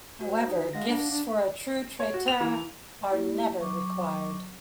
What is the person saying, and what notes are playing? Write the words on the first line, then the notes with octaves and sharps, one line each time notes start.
However gifts for a true traiteur are never required.
F#4 C5
D#4
G#3 F5 F#5 A#6
D4
D4
C#5
F#4
F7
E3
A#3 E4 G4
F#3 C#6 D6